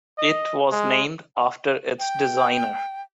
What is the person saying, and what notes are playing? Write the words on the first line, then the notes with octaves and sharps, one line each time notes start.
It was named after its designer.
D#5
G#3
G5